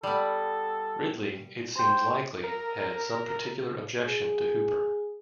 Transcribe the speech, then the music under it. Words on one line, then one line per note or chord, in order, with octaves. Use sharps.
Ridley, it seems likely, had some particular objection to Hooper.
G3 B3 A4
C5 G5 C6
A#4
G#4